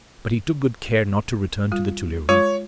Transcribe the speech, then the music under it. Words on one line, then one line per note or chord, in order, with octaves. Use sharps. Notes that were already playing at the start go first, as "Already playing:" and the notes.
But he took good care not to return to the Tuileries.
G3 F4
G#3 F4 C#5 D6